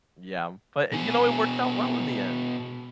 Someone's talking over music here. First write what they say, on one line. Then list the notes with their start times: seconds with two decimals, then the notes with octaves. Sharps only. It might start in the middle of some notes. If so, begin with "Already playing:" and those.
Yeah, but you know, it worked out well in the end.
0.92 B2 G#4